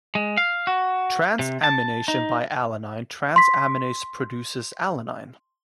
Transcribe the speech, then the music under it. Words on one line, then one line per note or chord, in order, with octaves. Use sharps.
Transamination by alanine transaminase produces alanine.
G#3
F5
F#4
C3
A5
D#4
C6 B6